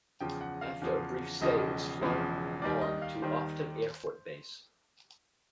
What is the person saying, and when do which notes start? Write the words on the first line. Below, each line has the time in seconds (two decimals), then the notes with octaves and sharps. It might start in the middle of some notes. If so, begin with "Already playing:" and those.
After a brief stay it was flown on to Offutt Air Force Base.
0.20 E2 C#3 F3 G5
0.41 F#5
0.61 F5
0.82 E2 C#3 F3
1.41 E1 E2 C#3 F3 D#5
2.01 E1 E2 C#3 F3
2.62 D#2 D#3 G3 D5
2.81 D#5
3.02 F5
3.22 D#2 D#3 G3 C5